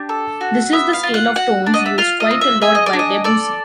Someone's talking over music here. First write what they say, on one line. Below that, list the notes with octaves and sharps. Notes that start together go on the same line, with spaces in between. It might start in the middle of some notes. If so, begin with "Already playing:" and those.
This is the scale of tones used quite a lot by Debussy.
Already playing: D4 G4
A4
F#4
B3 E5
F5
F4
F#5
F#4 F#5
D4
D#5
E5
F4 F5
D#5
C4
E5
G#4 E5
D#5
D5
D4
D#5
A4 D5